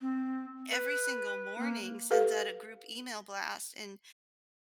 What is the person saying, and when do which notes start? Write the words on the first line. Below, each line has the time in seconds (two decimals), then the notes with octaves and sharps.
every single morning sends out a group email blast, and
0.01 C4
0.71 B4
1.58 A#3
2.10 G4 A4 B4 F5